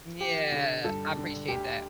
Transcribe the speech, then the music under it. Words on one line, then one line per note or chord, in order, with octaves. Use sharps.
Yeah. I appreciate that.
F3 G4
D3
G2 A4
D3
D2 G4